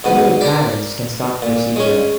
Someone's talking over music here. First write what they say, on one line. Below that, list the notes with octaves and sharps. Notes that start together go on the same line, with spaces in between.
Only the parents can start the procedure.
G#2 B2 B3
A#4 D5
A#2
G#3 C#4